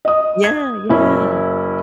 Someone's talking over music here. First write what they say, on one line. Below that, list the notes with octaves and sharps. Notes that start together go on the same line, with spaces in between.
yeah. Yeah,
D#5 D#6
G#6
F#1 C#4 E4